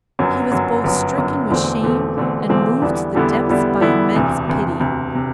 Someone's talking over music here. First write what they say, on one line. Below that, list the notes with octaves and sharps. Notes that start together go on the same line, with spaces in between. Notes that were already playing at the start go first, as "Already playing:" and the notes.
He was both stricken with shame and moved to the depths by immense pity.
G1 F#2 F#3
G1 F#2 F#3
G1 F#2 F#3
G1 F#2 F#3
E1 E2 D3 A3 C4
E1 E2 D3 A3 C4
E1 E2 D3 A3 C4
E1 E2 D3 A3 C4
E2 D3 G3 B3 E4
E2 D3 G3 B3 E4
E2 D3 G3 B3 E4
E2 D3 G3 B3 E4
E1 D2 C3
E1 D2 C3
E1 D2 C3
C3